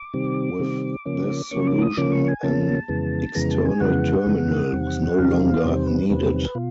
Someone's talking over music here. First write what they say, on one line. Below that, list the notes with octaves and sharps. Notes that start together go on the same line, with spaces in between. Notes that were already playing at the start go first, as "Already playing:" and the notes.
With this solution an external terminal was no longer needed.
Already playing: D6
C3 D#3 G3 C4
C3 D#3 G3 C4
C#3 F3 A#3 C#4
C#3 F3 A#3 C#4 C#6
D6
D#6
C#3 F3 A#3 C#4 D6
C#6
G#5
C#3 F3 A#3 C#4 A5
F2 C#3 E3 G#3 B3
F2 C#3 E3 G#3 B3 A#5
A5
G#5
F2 C#3 E3 G#3 B3 F#5
F2 C#3 E3 G#3 B3
E2 C3 D#3 G3 C4
E2 C3 D#3 G3 C4 F5
E2 C3 D#3 G3 C4 C5
B4
E2 C3 D#3 G3 C4 B4
B2 F4